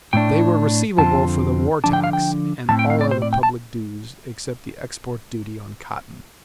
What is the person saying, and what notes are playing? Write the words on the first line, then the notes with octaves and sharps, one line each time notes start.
They were receivable for the war-tax and all other public dues except the export duty on cotton.
A2 A3 D4 G5
F2 D3 F3 C4 F4 A5
D3 F3 D4 A5
G5
F5
G5
A2 F3 C4 A5
G5
F5
D5
C5
D5
G5
A5